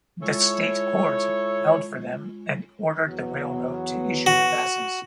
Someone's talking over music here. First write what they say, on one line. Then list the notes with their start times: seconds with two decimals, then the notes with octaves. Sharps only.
The state court held for them, and ordered the railroad to issue the passes.
0.22 G#3 E4 F4 A4 C#5
3.06 E2 F#3 B3
4.26 F#4